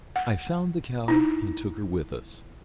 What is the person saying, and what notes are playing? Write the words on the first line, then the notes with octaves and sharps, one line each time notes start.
I found the cow, and took her with us.
F#5
D#4 E4